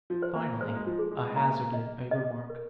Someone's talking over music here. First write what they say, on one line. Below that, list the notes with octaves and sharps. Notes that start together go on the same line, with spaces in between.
Finally, I hazarded a remark.
F3
C5
A#3
G#3 C5
A#3
G#3
F3
G#4
G#3
G#3
A#3 A#5
D#5
D#5
A#4